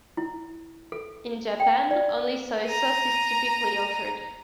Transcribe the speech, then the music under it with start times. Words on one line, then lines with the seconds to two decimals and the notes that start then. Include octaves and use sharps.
In Japan, only soy sauce is typically offered.
0.17 E4
0.92 A4
1.60 G5
1.91 D5
2.67 A#5 D#7